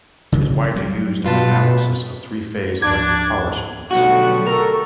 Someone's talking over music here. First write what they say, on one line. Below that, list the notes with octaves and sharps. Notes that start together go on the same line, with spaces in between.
It is widely used in analysis of three-phase electric power circuits.
C#3
F#3 G3
G2 B2 F4 B4 A5
D2 G#2 F3 D4 D6 G#6
B1 D3 G3 A3 F#4 F#5 C#6
A4 A#4